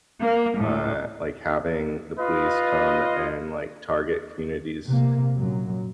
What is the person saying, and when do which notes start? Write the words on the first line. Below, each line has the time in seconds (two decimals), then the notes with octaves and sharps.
uh, like, having the police come and, like, target communities
0.21 A#3
0.57 A2
2.19 F4 B4 D#5
4.87 C3 A#3
5.36 F#2 A#2 F#3